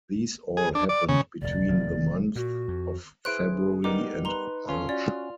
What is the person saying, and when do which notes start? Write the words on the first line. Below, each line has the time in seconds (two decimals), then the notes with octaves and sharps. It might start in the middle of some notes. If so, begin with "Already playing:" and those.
These all happened between the months of February and March.
0.57 G#4
0.75 D4
0.89 D5
1.09 C#3
1.42 F1 D2 D5
1.69 F1 D#3
2.36 A#2 F#4
2.68 F2
3.25 E4 G#4 B4 C5 F#6 D7
3.84 G3 B3 D#4 A#4 D6
4.25 B4 A#5 C6
4.69 C#4 F4 A4
4.89 C#4 F#4 D5